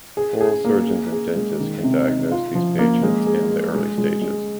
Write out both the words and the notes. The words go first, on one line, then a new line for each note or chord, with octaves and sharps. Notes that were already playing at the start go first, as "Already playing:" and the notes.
Oral surgeons and dentists can diagnose these patients in the early stages.
G#4
G#4
A#3
G#4
G#4
G#3
D#3
C3
D#4
F4
F3
A#3
G#3
G#4
G#4
G#3
G#3
G#3